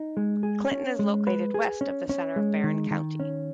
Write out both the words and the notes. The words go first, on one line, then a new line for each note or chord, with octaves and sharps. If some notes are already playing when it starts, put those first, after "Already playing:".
Clinton is located west of the center of Barron County.
Already playing: D#4
G#3
G#4
C#4
G#3
B4
G#4
C#4
C#4
G#3
D#3
D#3
C#4